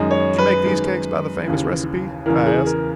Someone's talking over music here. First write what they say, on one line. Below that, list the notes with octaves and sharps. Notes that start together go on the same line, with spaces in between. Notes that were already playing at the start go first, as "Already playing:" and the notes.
"Did you make these cakes by the famous recipe?" I asked.
Already playing: F#2 D#3 G#3 D#4
C#5
B4
F#2 D#3 G#3
D#2 C#3 E3
E2 C#3 E3 A#4
G#4
A#4